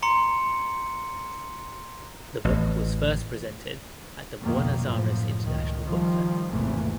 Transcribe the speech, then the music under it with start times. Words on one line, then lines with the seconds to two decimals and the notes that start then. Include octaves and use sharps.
The book was first presented at the Buenos Aires International Book Fair.
0.03 A#5 C6 C#7
2.45 A1
4.42 B1 F2 B2 D#3 A#3
4.82 F#2 A2 F3
5.43 C#2 D#3
5.84 D#3 F3 G3
6.50 G#1 E2 C3 E3 A3 A#3